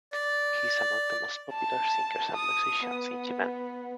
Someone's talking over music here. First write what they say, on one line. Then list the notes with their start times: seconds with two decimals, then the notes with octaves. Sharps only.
He is among the most popular singers and musicians in Yemen.
0.13 D5
1.53 A5
2.35 D#6
2.85 B3